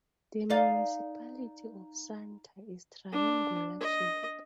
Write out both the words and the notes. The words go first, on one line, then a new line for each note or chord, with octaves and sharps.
The municipality of Santa is triangular shape.
D#4 D5 F5
D4
D#5